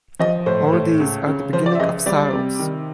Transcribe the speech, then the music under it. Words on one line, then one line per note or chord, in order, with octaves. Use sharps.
All these are the beginning of sorrows.
F3 D#5
A2 C5
A2
C#2
C#3
F3 C5
D5
E5
C#2 D#5
G3 D5
C3
D#3